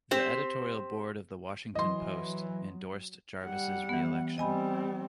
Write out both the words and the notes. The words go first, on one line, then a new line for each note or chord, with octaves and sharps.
The editorial board of The Washington Post endorsed Jarvis' reelection.
C4 G4 C5
E3 F#3 D#5 C6
G3 F#5
E3 B3
G3 C4 D#5 G#5 B5